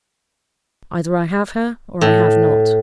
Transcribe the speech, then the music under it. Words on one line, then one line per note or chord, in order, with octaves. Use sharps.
Either I have her, or I have not.
A2